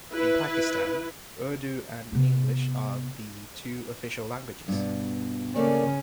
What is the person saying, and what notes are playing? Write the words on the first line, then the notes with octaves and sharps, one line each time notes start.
In Pakistan, Urdu and English are the two official languages.
E4 B4
C3 B3
G2 B2
C#3 A3 A#3 C#4 D5